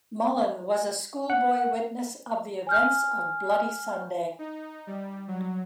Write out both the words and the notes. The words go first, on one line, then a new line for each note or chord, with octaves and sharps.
Mullan was a schoolboy witness of the events of Bloody Sunday.
F#5
G#5 F6 G6
D#4
G3
F#3